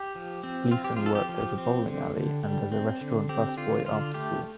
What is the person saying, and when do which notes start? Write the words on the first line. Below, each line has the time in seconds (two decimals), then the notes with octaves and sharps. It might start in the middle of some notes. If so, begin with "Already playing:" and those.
Gleason worked at a bowling alley and as a restaurant busboy after school.
Already playing: G4
0.15 F3
0.43 C4
0.71 C4 F4
0.84 G4
0.96 F3 F4
1.06 A4
1.15 G4
1.29 F3
1.58 C4
1.86 D3
2.15 D3
2.43 G3
2.72 C4
3.01 D3
3.29 C4 G4
3.57 D3 F4
3.86 D3 F4
4.14 A3 G4